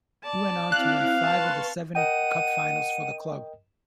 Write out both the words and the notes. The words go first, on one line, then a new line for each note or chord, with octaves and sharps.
He went on to win five of seven cup finals for the club.
D5 A5
C4 E4 F5 D6 F#6
B4 A5 C6 C#6
A#4 D#5 F#5 G5 D#7